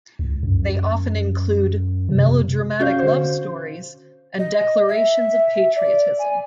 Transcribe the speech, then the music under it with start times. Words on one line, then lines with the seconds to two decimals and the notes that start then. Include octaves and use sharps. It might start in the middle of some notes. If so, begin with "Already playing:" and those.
They often include melodramatic love stories and declarations of patriotism.
0.19 C#2
0.43 F#2
2.09 C3
2.80 C#4 F#4 F5 G6
2.99 D3 C5
4.39 D#5
4.89 E5
5.77 D5
6.19 G#5